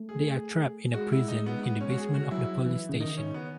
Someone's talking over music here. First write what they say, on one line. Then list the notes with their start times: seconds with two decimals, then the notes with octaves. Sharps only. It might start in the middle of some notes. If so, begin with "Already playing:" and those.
They are trapped in a prison in the basement of the police station.
Already playing: A3
0.09 G#4
0.94 G#3 F#4
1.12 E4
1.28 D#4
1.46 B3
1.63 B3
1.81 C#4
1.90 F#4
1.98 G#4
2.14 F#4
2.31 F#3 E4
2.66 E3
2.89 C#3
3.00 D#3 D#4
3.17 C#4
3.34 B3